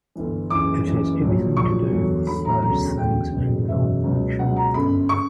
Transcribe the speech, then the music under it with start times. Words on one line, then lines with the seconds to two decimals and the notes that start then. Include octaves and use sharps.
It has everything to do with those things in nonfiction.
0.15 G1 G2 E3
0.50 F#1 F#2 E3 D6
0.86 F#1 F#2 E3
1.21 A#1 A#2 F#3
1.57 A#1 A#2 F#3 C#6
1.92 E2 D3 F#3
2.27 E2 D3 F#3 B5
2.45 A#5
2.62 E1 D2 C#3 F#3 A#5
2.98 E1 D2 C#3 F#3 G5
3.33 F#1 E2 B2 F#3
3.68 F#1 E2 B2 F#3 E5
4.04 C#2 B2 F#3
4.39 C#2 B2 F#3 F#5
4.56 A#5
4.74 G1 F#2 C#3 B5
5.09 C#3 C#6